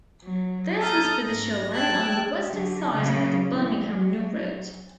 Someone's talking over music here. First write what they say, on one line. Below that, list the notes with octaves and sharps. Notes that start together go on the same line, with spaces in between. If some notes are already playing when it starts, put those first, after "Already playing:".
This was for the children on the western side of the Birmingham New Road.
F#3
A4 A#5 D#6 F6 G6 A6
G#2 A#6
G5 A5 E6 F#6 G#6
F#2 D3 F#3
A#2 C#3 F#3 A#3
A2 E3
F#3